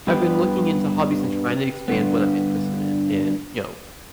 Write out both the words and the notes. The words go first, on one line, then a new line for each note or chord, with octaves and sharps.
I've been looking into hobbies and trying to expand what I'm interested in, and you know
G2 G3 B3 G4 B4
G2 D3 B3